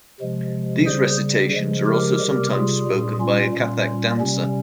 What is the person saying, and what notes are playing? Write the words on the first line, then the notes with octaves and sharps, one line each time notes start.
These recitations are also sometimes spoken by a Kathak dancer.
C3 F3 G#3
C#3 G3 G#4 C5
C#3 F3 G#3
G4 A#4
C3 G3
F4 G#4
A#2 G3
C#4 F4
A#2 G3
C3 G3 C#4